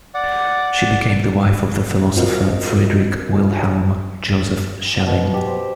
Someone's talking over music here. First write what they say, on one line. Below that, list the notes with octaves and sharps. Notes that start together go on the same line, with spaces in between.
She became the wife of the philosopher Friedrich Wilhelm Joseph Schelling.
D5 F#5
C4 F4 F#4 A#4 D#5
B2
G4
C5